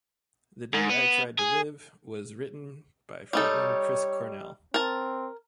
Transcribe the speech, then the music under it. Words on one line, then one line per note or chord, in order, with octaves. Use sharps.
"The Day I Tried to Live" was written by frontman Chris Cornell.
G#2
B3
G#4
G3 D#4 A4 C#5
C4 A#4 A5